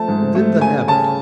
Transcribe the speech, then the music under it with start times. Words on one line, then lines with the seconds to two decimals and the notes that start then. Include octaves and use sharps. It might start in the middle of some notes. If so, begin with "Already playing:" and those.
And then the habit!
Already playing: F3 A3 A5
0.08 G#2
0.35 A3
0.61 C#3 G#5
0.88 C#3 A5